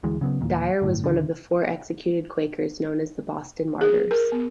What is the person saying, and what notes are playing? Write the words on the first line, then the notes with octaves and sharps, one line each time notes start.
Dyer was one of the four executed Quakers known as the Boston martyrs.
D2 E3 G#3
C#3 F#3 B3
D#2 A#2
G1 A2
D#1 D3
G#4
A#4
B3